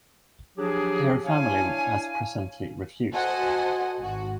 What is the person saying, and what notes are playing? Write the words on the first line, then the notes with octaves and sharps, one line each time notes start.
Her family has presently refused.
F3 F#3 D4 G4 G#4
D4 E4 C#5 F5 G#5
F#4 A4 C5 D#5 F#5 G#5
G#1 F#4